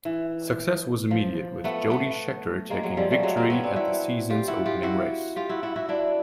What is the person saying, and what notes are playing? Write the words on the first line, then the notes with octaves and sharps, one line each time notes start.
Success was immediate with Jody Scheckter taking victory at the season's opening race.
E3
F3
A3 B3
A3 B3
G#3 A#3
F#3 G#3
F3 G3
G3 A3
F#3 G#3
A#3 C4
B3 C#4
C4 D4
E4 F#4
F4 G4
E4 F#4
F4 G4
E4 F#4
F4 G4
E4 F#4
E4 F#4
E4 F#4
D4 E4